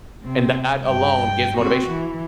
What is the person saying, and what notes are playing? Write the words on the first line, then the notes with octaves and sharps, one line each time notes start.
And that alone gives motivation.
C3 C4
G2 G5
C4 F#4
E3